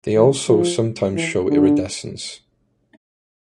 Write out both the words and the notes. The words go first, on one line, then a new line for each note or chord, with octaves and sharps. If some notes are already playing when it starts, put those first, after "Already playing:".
They also sometimes show iridescence.
E3
F3
E3
D3